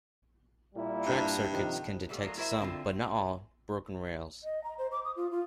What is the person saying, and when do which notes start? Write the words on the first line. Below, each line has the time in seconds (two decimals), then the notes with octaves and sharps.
Track circuits can detect some but not all broken rails.
0.75 A#2 G3 E4
1.06 G2
1.52 C3 D#3 F3
2.09 A#2 G3 A3 B3
2.22 F3 G#3 A3 A#4
2.37 E4 F#4 A#4 C5 E5
2.60 D3 C4 C#4 F4
4.44 D#5
4.64 A#5
4.78 C5
4.92 D6
5.05 D#6
5.16 F4
5.31 F4